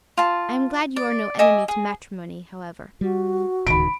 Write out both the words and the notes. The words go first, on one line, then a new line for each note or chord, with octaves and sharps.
I am glad you are no enemy to matrimony, however.
F4 A5
D5
D#5 E5 G#5 D6
G#4
G3 F#4
D1 C#2 D#3 B5 D7